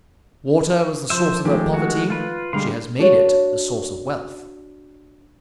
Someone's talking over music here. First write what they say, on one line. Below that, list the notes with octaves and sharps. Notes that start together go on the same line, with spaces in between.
Water was the source of her poverty, she has made it the source of wealth.
F3 C5 E5
D#3 F3 G#3 A3 G4
G#3 F#4
F4 B4
D3 G3 G#3 F5 C6
D4 F#4 C#5